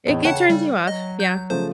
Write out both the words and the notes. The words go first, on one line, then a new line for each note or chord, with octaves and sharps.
It it turns you off. Yeah.
E2 A2 D#5
C#3 C#5 F#5 G5 A5 F#6
G3
F#3 D#5
G6
C#3 F3 A3 C5